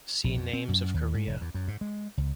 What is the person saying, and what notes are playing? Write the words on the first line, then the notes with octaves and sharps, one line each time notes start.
See Names of Korea.
A#1
F2
C4
F#2
D#2
G#2
F1
E2
F#2
G#2
G#3
C#2